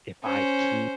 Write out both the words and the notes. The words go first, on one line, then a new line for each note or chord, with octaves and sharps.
if I keep
C#4 C5